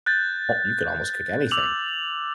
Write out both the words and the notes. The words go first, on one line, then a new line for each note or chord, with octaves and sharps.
you can al almost cook anything,
F#6 G6 A6
D6 E6 F7 F#7